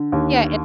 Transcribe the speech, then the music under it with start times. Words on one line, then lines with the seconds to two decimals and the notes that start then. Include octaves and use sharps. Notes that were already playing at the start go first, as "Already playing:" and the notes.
yeah an
Already playing: D3
0.12 D#2